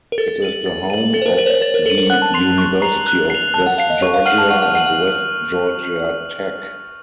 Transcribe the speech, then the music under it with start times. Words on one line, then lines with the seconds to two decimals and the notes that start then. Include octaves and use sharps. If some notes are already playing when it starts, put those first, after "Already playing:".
It is the home of the University of West Georgia and West Georgia Tech.
0.12 A#4
0.18 A4 A6
0.42 D#7 F#7
0.66 A6
0.90 D#7 F#7
1.14 A4 A6
1.22 C5
1.26 A#4
1.38 A#4 D#7 F#7
1.46 C5
1.50 C#5
1.61 C5 A6
1.74 A#4
1.86 A4 D#7 F#7
1.98 A#4
2.10 F#5 F#6
2.22 A5
2.34 C6 C7 F7
2.58 C#6 F#6
2.82 A#5 C7 F7
3.07 F#6
3.30 C7 F7
3.54 A5 F#6
3.66 F#5
3.78 F5 C7 F7
3.90 D#5
4.02 C#5 C#6
4.14 F5
4.26 F#5 F6 C7 D#7 F#7
4.38 A5
4.50 F#5 C#6
4.62 F#5
4.74 F#5 F6 C7 D#7 F#7
4.86 F#5